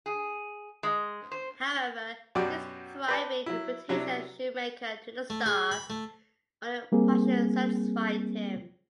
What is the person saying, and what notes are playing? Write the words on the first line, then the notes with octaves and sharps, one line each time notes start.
However, his thriving reputation as 'Shoemaker to the Stars' only partially satisfied him.
G#4
G#3
C5
F#2 B2 F#3 F#4 G4 D5
B4 D5 A5
F#3 E4
C3 F#3 D4 E4
A3
G#4
B5
A3
G3 A#3 C4 G#4